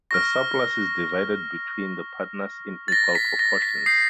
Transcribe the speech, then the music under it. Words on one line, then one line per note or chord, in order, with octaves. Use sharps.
The surplus is divided between the partners in "equal proportions".
C#6 F6 A#6
A6
A#6
B6
A#6
B6
D#6 G6 C7